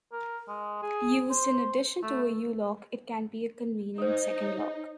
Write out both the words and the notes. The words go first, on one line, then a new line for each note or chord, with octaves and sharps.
Used in addition to a U-lock it can be a convenient second lock.
A#4
G#3
G#4
C5
A3
D#4 A4 C5
C#5